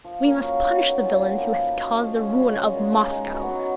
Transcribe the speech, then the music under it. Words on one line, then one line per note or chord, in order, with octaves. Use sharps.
We must punish the villain who has caused the ruin of Moscow.
F3
A#3 C#4
F#3
B3 D#4 F#4
F#3
C#4 F4 G#4
A#2
F3 A#3 D#4
B2
F#3 C#4
F3
G#3 C#4
B2
G#3 C#4
A#2
G#3 D#4
G#3
B3 F#4
F#3